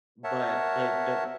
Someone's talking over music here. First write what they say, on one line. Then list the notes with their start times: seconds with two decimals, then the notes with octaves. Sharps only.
But but the
0.24 A#4 C#5 E5 F#5 A5